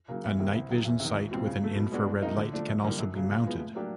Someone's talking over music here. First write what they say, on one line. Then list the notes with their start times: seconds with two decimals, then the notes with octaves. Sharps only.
A night vision sight with an infra red light can also be mounted.
0.08 C#3 F#3 A#3
0.24 E2
0.39 C3 D#3 G3 A#3
0.55 C2
0.69 C3 D#3 F#3
0.85 E2
1.00 C3
1.05 D#3
1.15 C#2
1.31 B2 G3 C4 F4
1.45 C#3
1.61 F#3 A3
1.76 B2
1.92 G#3 B3 D4 F#4
2.07 C#2
2.22 C3 F3 A#3 D#4
2.37 D3
2.54 F3 A3 D4
2.68 F#2
2.84 D3 G3 A#3
2.99 F#2
3.15 C#3 F#3
3.30 C#3
3.45 F3 G#3 B3 E4
3.61 A2
3.75 F#3 A#3 D4 G4